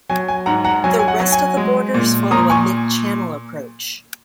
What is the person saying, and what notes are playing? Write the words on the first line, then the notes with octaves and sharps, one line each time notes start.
The rest of the borders follow a mid-channel approach.
F#3 G#5
G#5
G#2 F#5 A#5
F#5 A#5
F#3 G#5
G#5
F#5
F#3
G#5
G#3
A#2
A#2 A#5 D#6
G#5 C#6